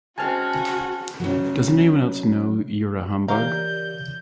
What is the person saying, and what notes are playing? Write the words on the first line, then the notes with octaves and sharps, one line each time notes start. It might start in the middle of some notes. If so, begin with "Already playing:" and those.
Doesn't anyone else know you're a humbug?
G#3 C4 C#4 F#4 G#5 A5 F6
C#3 F#3
C#3 E3 G4 A#4 D5 F5 A#5 G6